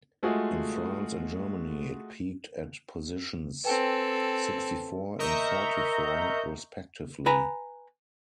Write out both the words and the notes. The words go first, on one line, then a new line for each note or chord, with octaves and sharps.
In France and Germany, it peaked at positions sixty-four and forty-four, respectively.
G#3 A3 F4 F#4 G#4
C4 A4 B4 G5 G#5
A#4 D#5 E5 A#5 C#6 G6
B4 G#5 A#5 B5